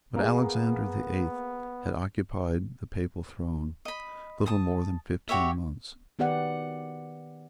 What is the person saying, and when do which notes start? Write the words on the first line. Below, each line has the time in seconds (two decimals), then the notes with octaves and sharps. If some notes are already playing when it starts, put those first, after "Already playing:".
But Alexander the Eighth had occupied the papal throne little more than fifteen months.
0.16 A#3 B3 G#4
3.85 D#5 B5
4.46 A5 D#6
5.29 F#4 G4 C#5 E5
6.19 D#3 B3 G4 D5 F#5